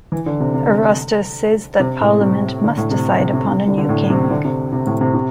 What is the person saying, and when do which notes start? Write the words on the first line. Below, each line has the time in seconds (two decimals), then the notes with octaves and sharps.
Arostus says that Parliament must decide upon a new King.
0.12 E3
0.26 D3
0.40 C3
0.54 C3
1.80 C3
2.01 A2
2.21 C3
2.64 D3
2.77 A2
2.91 C3
3.19 C3
3.33 C3
3.47 C3
3.68 D3
3.78 D3
3.89 A2
4.10 C3
4.31 D3
4.45 C3
4.73 C3
4.87 A2
5.01 C3
5.14 C3